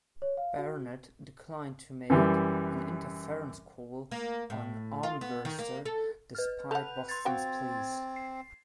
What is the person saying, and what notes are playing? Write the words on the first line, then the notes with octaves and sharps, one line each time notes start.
Barnett declined to make an interference call on Armbrister, despite Boston's pleas.
C#5
F5
F#4
F#2 E3 G3
A#3
A2
F4
B3
D#3
A#3
A4
B4 F6
A4 B4 F#5 G6 F7
C6 G#6 A6
F3 C4 F#4 G5
C7